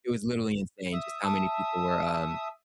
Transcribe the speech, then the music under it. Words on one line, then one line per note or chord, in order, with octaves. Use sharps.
it was literally insane just how many people were, um,
E5 D#6
A5